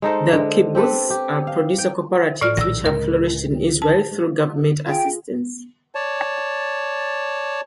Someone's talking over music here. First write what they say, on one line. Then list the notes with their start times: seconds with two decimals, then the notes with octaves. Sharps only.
The kibbutz are producer cooperatives which have flourished in Israel through government assistance.
0.02 G#3 D#4 A4 C5
0.33 D3 G#3
0.75 C4 G4 A4 B4
1.10 G4
1.47 F5
1.78 G5
2.41 A2 D5 F6
2.57 A#1 D#3 E6 A#6
2.86 C#2 A#4
3.82 A5
4.86 F4 G#4 G5
5.95 C#5 D5 A5